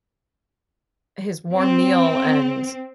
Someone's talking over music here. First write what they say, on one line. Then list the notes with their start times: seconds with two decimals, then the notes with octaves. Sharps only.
his warm meal and
1.55 C4